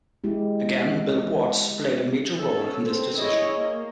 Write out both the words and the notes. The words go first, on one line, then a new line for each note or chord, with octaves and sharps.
Again, Bill Watts played a major role in this decision.
G#3 E4 G4
C#4 A4
C4
E4 G#4 C#5 D#5
A#3